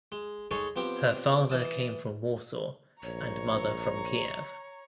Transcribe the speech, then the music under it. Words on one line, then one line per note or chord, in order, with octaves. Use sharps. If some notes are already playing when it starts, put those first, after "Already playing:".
Her father came from Warsaw and mother from Kiev.
G#3
G#3 D#4 G#4 A4 C#5 D#5
F3 B3 C4 G4
E3 A5 D#6
A#1 C#5 A#5 C#6